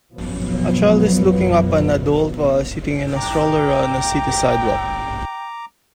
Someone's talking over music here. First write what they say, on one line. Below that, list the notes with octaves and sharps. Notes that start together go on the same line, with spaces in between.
A child is looking up at an adult while sitting in a stroller on a city sidewalk.
F#2 B2 F3 F#3 B3
G5 A#5 D6